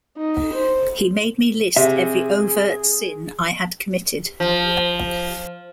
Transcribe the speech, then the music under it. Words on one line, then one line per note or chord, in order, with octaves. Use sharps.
He made me list every overt sin I had committed.
D#4
C5
C3 G#4 E5
F3